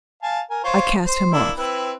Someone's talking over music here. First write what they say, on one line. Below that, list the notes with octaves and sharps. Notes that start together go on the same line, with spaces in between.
I cast him off.
F5 G#5 A5
A#4 G#5
F4 C5 C#5
C5
A#3 D4 E4
C4 E4 B4